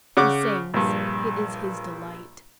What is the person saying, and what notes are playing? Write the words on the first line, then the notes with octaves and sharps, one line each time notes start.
He sings; it is his delight.
C#3 F#5 D6
A#1 G2